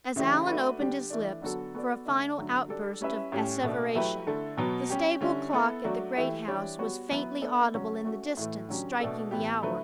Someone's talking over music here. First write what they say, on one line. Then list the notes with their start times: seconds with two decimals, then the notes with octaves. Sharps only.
As Allan opened his lips for a final outburst of asseveration, the stable clock at the great house was faintly audible in the distance striking the hour.
0.16 C#3 E3 A3 C#4 G4
0.47 A3 D4 F#4 B4
0.80 D3 G3 D4 G4
1.10 E3 A3 D4
1.42 D3 F#3 B3 F#4 A4
1.75 B3 F#4 A4 D5
2.05 D3 A3 D4
2.37 D3 F#3 A3
2.68 G3 D4 A4 D5
3.01 G3 C#4 E4 B4 E5
3.32 A2 G3 C#4 G4
3.63 B2 A3 D4
3.95 F#3 A3 E4 G4 B4
4.27 D3 A3 E4 A4
4.57 B2 F#3 B3
4.90 G3 C#4 G4
5.21 D3 G3 C#4 E4
5.53 B3 E4 A4
5.85 F#3 A3 D4 F#4
6.16 E3 A3 E4 G4
6.48 E3 G3 D4 G4 C#5
6.79 G3 B3 F#4 C#5
7.11 F#3 B3 E4 B4
7.42 B3 D4 A4 E5
7.74 C#3 F#3 C#4 F#4 C#5
8.05 A3 C#4 F#4
8.37 A2 E3 A3
8.69 D3 F#3 C#4 G4
9.00 B2 A3 D4 A4
9.31 A2 E3 B3 E4 G4
9.63 D3 F#3 A3 E4 B4